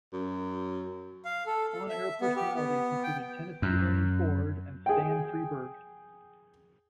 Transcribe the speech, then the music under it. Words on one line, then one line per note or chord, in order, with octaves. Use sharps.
On-air personalities included Tennessee Ernie Ford and Stan Freberg.
F#2
F5
A4
A4
E5
B3
G4
B3
G5
F#2
G#4 G5